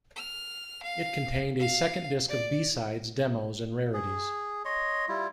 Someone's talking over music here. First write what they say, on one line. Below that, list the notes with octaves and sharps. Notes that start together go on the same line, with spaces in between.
It contained a second disc of B-sides, demos and rarities.
F6
F5
F5
D5
G#4
C#5 D#5 C6
G3 E4 F4